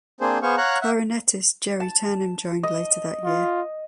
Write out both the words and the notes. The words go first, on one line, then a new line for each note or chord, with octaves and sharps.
Clarinettist Gerry Turnham joined later that year.
A#3 C4 D4 G#4 C5
B3 G#4 C5 F5 C#6
C#5 F5 F#5 A#5 C#6 F#6
E5 F#5
A5
D#5
F4